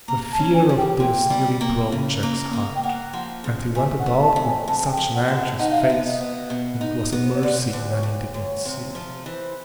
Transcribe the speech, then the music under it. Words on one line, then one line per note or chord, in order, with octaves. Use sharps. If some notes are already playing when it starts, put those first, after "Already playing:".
The fear of this nearly broke Jack's heart; and he went about with such an anxious face that it was a mercy Nanny did not see it.
A#3 A#5
A5
C#4
G#5
G3
G5
A#2 G5
G3
A#3
C#3
A#3
A#3
G5
A#3 F#5
F3
C#3
A3 G#5
F#5
A3
A5
F2
G#5
F2 A5
G#5
G5
F2
F#5
D3
F#5
D#4 F#5
F5
E5
B3 F5
D#5
B3
B2
D#4
B3
C5
C#5
D2 D5
D2
C#5
D2
D2 C#5
C3
F3
E3 C5